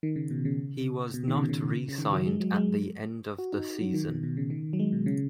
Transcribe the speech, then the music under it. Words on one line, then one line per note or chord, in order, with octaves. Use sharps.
He was not re-signed at the end of the season.
D#3
C#3
B2
C#3
B2
D#3
C#3
B2
C#3
C#3
D#3
F#3
G#3
F#3
G#3
F#4
D#4
F#3
D#3
B2
B2
C#3
D#3
F#3
G#3
B2
C#3